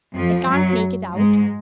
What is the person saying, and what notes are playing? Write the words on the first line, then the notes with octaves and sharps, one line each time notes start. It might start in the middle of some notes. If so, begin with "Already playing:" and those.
I can't make it out.
F2 F3
F#2 F#3
G#2 G#3